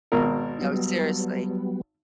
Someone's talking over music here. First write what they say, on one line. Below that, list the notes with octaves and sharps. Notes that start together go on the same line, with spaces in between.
No, seriously.
G#1 B2 A#4
F#3 G3 B3